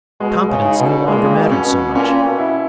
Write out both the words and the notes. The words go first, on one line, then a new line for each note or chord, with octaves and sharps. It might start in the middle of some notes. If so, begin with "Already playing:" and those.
Competence no longer mattered so much.
B2 G#3
C#3
D#4
B2
A#2 G#3
B2
C#4
B2
A#2 C#4
B2
E4